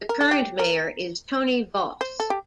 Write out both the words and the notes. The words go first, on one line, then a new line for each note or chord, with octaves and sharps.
The current Mayor is Tony Vauss.
A#4
A4
G4
A#4
C5
A4
G4